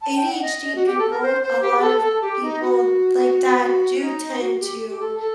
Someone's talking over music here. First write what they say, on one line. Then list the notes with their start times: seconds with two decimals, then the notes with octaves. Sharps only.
ADHD people a lot of people like that do tend to,
0.01 A5
0.15 G5
0.29 F#5
0.42 D#5
0.75 F#4
0.86 G4
0.98 A4
1.10 A#4
1.22 C5
1.42 C5
1.62 G4
1.75 G4
1.81 A4
2.01 A4
2.21 G4
2.42 D#4
2.61 F#4
3.60 F#4
4.00 D#4
4.39 F#4
4.55 F#4
4.60 G4
4.88 G4
4.99 A4
5.19 A4